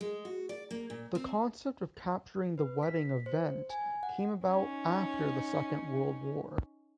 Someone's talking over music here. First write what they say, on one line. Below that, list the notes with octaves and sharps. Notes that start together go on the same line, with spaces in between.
The concept of capturing the wedding "event" came about after the Second World War.
G#3
F#4
D5
A#3
A#2
C4
B4
B6
C5
G#5
F#5
C#4 D#4